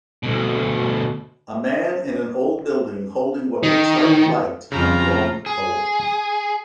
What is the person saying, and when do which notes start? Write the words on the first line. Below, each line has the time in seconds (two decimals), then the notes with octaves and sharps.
A man in an old building holding what looks like a light on a long pole.
0.23 D2 B2
3.63 D#3
4.72 F2 C#3 F3 F4 A#5
5.46 G#4